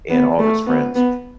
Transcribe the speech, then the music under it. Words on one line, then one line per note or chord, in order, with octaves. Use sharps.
and all of his friends?"
B3
A3
B3
B3